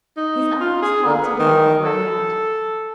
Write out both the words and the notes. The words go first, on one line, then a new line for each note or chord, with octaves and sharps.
His uncle's hearty laugh rang out.
D#4
F4
G#4
D3
B3
D#3
A4